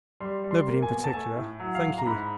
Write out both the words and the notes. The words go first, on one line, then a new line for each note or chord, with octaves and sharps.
"Nobody in particular, thank ye."
G3 C6
G3
C6
A#3
G#5
B2
A5
A3 G#5
A2
F#3
F5
A2
A#5
G#2 B5